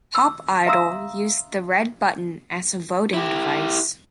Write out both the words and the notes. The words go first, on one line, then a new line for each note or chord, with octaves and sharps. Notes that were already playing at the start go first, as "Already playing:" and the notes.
"Pop Idol" used the red button as a voting device.
E6
E5 F5 A#5 C6 D#6 E6
E4 G4